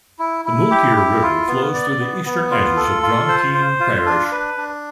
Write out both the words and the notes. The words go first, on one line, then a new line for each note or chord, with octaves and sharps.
The Mulkear River flows through the eastern edges of Dromkeen parish.
E4
E4
G4
E4
F4
B3
D5
B3
B3
F4
A4
F4
C5
C5
F4
D4
B4
D4